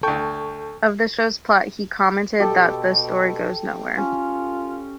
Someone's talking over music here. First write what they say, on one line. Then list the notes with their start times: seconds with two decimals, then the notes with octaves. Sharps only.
Of the show's plot, he commented that the story goes nowhere.
0.03 D2 A4 G5 A5 C#6
2.40 B2 G4 A4 D5
3.98 C#4 F4